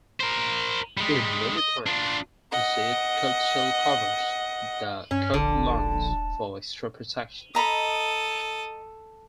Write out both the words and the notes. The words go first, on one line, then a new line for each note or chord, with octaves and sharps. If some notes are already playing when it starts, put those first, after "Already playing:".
In many plants, the seed coat still covers the cotyledons for extra protection.
A#4 C5
G3 G#3
D#5
D4 F4
D#5 F#5
G2 C#4
D#1 A#1 D3 A5
A4 D#5 A#5 B5 D#6